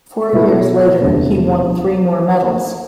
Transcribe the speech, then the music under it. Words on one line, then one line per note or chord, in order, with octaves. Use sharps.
Four years later he won three more medals.
B2 B3 E4 A4
E1 D2 C3 G3 D4